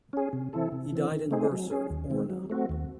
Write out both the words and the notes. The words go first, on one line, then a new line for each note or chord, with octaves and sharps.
He died in Bursard, Orne.
C#4 G#4
C3
E3 C4 E4 A4
C3
E3 C4
D#3
A3 C4 D#4 G#4
F#3
C#4 G#4
D#2
D#3 G#3 C4
F#3
A3 C4 F#4
D#2